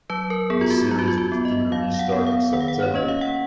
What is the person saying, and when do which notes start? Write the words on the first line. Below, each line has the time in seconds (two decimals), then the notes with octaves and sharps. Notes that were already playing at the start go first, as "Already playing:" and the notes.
The series was due to restart in September.
0.10 F#3 B4
0.30 A#4
0.50 B3 G#4
0.61 F4
0.70 F#4
0.91 F#3 F4
0.99 F#4
1.08 F4
1.18 F#4
1.32 B3
1.45 D#5
1.72 F#3 F5
1.94 F5
1.99 F#5
2.12 B3
2.27 F5
2.53 D#3 F#5
2.61 F5
2.68 F#5
2.83 C#5
2.94 A#3 C#4 D#5
3.08 F5
3.21 F#5